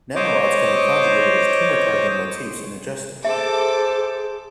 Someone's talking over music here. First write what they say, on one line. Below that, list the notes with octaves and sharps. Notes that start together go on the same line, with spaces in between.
Nanorods can be conjugated with tumor targeting motifs and ingested.
C5 C#5 D#5 D6
G#4 A4 C5 E5 D6